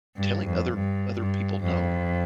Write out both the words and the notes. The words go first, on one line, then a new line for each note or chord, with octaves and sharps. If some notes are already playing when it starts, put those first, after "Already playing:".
telling other other people no.
G2
F2
G2
G2
F2